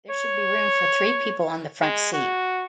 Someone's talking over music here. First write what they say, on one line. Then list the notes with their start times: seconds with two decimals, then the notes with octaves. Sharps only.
There should be room for three people on the front seat.
0.10 C#5
1.82 G#3
2.13 F#4